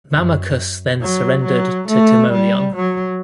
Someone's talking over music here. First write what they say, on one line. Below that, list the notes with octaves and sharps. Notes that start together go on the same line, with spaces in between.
Mamercus then surrendered to Timoleon.
F#2
F#3
F#3
A3
G3
F#3